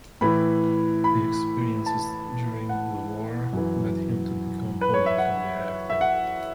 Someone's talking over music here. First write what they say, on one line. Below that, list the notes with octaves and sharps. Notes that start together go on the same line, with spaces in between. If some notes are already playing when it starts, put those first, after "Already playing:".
The experiences during the war led him to become politically active.
A2 E3 B5
B5
A5
F#5
F#2 E3
B4
C#5
E5
F#5
E5
F#5